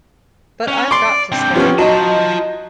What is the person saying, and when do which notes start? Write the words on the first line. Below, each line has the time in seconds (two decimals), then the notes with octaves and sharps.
But I've got to stay.
0.68 C#4
0.91 D5 C6 D6
1.32 C4 D4 G6
1.55 F3 B3 C#4 G4
1.79 F#3 D#4 F4 D#5 A5